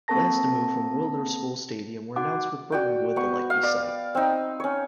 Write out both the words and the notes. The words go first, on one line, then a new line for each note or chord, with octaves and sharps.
Plans to move from Wilderspool Stadium were announced with Burtonwood the likely site.
A#3 C4 A4 A#4 A5 A#6
D#4 F#4 F#5 D6
F#4 D5 G5
B3 C#6
F5
D5
C4 D#4
C#4 C#5